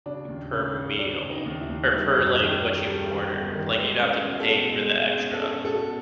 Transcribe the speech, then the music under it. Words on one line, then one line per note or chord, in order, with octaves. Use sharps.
per meal or per, like, what you order. Like, you'd have to pay for the extra
C#3 D4
D#2
C#3 C#4
C#3
C#3 D4
C#3
D#4
D#2
E4
D#2
G3 D#4
F#2
C#4
D#3
G4
D#3
G3 A4
D#3
G1
D#3
G#3 B4
C#4
B2
A4
B2
G#3 G#4
G#3
G#4
C#4
A4
C#4
B2 A4